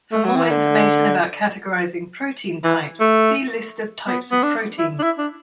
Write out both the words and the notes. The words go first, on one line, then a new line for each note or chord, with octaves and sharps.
For more information about categorizing protein "types", see List of types of proteins.
A3
F#3
E3
D3
E3
A3
B3
B3
D4
E4
D4
E4
D4